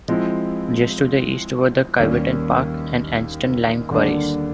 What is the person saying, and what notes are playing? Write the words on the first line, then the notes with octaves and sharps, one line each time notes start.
Just to the east were the Kiveton Park and Anston lime quarries.
F3 G#3 C4 E4
D#2 D#3 G3 A#3 C#4
D#2 D3 G3 A#3 D4